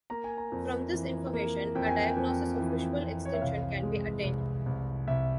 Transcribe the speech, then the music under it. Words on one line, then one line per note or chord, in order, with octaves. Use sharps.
From this information, a diagnosis of visual extinction can be attained.
A#3 A#5
G#5
A#5
F2
E3
A#3
F2 G5
G#5
G5
F2
E3
F2
C#5
E5
C2 F5
G#3
C2
C2
C2 E5